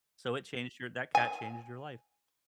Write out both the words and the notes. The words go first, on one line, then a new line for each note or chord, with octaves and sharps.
So it changed your That cat changed your life.
G#5